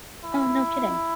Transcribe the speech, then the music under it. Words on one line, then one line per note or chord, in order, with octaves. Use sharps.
Oh, no kidding.
E4